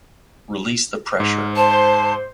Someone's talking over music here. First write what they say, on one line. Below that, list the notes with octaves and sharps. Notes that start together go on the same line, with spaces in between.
Release the pressure.
G#2
C5 A5